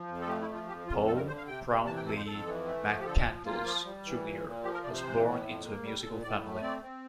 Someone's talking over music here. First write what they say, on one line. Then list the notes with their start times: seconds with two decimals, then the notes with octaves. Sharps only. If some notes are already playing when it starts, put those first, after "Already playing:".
Paul Brownlee McCandless Junior was born into a musical family.
Already playing: F3
0.08 F2
0.21 A4
0.27 A3 G4
0.42 E4
0.48 F3
0.54 F4
0.67 F2 G4
0.87 F2 F4
1.07 G2 A4
1.17 A#4
1.27 D3 C5
1.38 F5
1.47 C3 G5
1.67 C3
1.87 E3 A5
1.96 G5
2.07 F2 A4
2.16 C5
2.26 F2 A4
2.46 E3
2.65 A3
2.86 F3
3.00 G4
3.05 D3 A4
3.25 F3
3.45 A#3 F4
3.65 F3
3.85 G3
4.05 E3
4.25 A#2
4.44 A#2
4.63 F3 G4
4.74 A#4
4.84 C3 D5
4.94 C5
5.03 E3
5.24 A2
5.44 F2
5.63 A#3
5.83 G3
6.03 A#2 A4
6.22 A2 D5
6.42 A3
6.62 C4 D5
6.82 C4